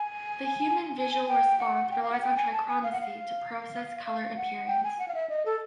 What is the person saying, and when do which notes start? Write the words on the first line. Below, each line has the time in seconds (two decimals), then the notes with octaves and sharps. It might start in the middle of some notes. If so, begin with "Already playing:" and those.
The human visual response relies on trichromacy to process color appearance.
Already playing: G#5
0.99 G#5
1.28 G5
1.59 F#5
1.91 G5
2.03 F5
2.12 F#5
2.21 G5
2.37 G#5
2.52 A5
2.68 G#5
2.83 F5
2.92 F#5
3.01 F5
4.06 F5
4.37 F#5
4.67 G5
4.84 G#5
4.99 F#5
5.08 F5
5.15 E5
5.30 D#5
5.46 A4